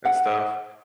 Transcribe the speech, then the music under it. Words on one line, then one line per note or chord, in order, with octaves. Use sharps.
and stuff,
F#5